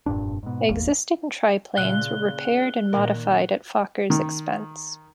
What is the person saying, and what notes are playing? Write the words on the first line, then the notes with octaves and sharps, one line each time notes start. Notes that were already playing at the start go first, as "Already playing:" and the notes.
Existing triplanes were repaired and modified at Fokker's expense.
F1 G2 A#2 D4
G#2 B2
D#1 G#1 E2 A#3
A#2 C#3 F#6 G7
A#2 D#3 A#4
D#3